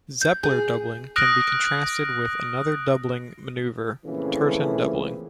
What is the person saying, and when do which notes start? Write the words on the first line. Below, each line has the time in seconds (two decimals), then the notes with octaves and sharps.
Zepler doubling can be contrasted with another doubling manoeuvre, Turton doubling.
0.21 G6
0.43 G#4 G6
1.16 D#6 F6 F#6 A#6 D7
4.05 A#2 C#3 E3 F3 A3 C4